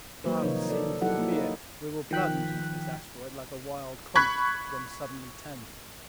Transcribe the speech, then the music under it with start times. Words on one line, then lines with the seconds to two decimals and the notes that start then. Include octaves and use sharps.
"Hahn seems to fear we will plunge into this asteroid like a wild comet gone suddenly tangent!"
0.24 F#3 A#3 F#4 B4 C5
0.42 C3 D#3 F3 D#4 A#4 C#5
0.69 A4 D5
1.01 F#3 D#4 E4 G4 A4 F#5
1.18 A#3 E4
1.32 D#4
2.11 D#3 F3 G5 F#6 B6
4.15 B5 C#6 F#6 G#6 B6